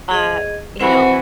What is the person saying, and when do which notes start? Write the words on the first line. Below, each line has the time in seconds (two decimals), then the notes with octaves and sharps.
uh, you know
0.11 G#4 D#5
0.80 E3 C4 F#4 C5 F#5